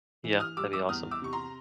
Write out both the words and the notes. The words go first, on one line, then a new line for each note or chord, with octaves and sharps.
Yeah. That'd be awesome.
E3
D#6 F6
G3 D6 E6
D6 E6
E2 D#6 F6
D6 E6
C3 C#6
A#5 C6